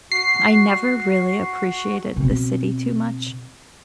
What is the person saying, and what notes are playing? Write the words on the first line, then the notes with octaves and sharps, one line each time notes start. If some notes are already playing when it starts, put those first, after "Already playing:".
I never really appreciated the city too much,
F#4 C7
B2 C4